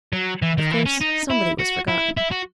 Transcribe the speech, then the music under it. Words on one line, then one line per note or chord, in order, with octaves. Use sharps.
Of course somebody was forgotten.
F#3
E3
D#3
E3
C#4
D#4
E4
F#4
E4
E4
F#4